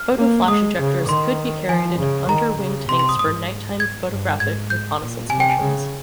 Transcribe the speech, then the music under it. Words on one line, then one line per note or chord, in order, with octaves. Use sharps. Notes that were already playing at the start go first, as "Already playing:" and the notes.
Photoflash ejectors could be carried in underwing tanks for nighttime photographic reconnaissance missions.
Already playing: F6
A#3
G#3 D#6
C#3
D#3 C6
F3 G#5
C#3
D#3 A#5
C#3
C3 C6
C6
D#6
G#2 D#6
G#6
G2
G#2 G#6
G#2 G6
A#2
C3 G#5
G5
G#5
C#3